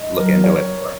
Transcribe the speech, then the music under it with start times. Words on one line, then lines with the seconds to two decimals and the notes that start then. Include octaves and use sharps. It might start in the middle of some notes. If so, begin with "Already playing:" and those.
look into it more.
Already playing: D#5
0.16 F#3 A#4
0.44 C#5